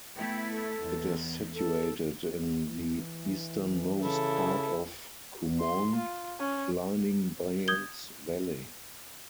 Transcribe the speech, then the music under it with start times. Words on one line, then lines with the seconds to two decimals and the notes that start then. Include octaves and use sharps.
It is situated in the easternmost part of Kumaun, lining Byans Valley.
0.17 A3 B3 E4 G5
0.50 A4
0.82 E2
1.54 A4
2.68 E3
4.04 C#3 E4 A4
5.59 C6
5.96 F4
6.39 C#4
7.68 D#6 G6 G#6 G7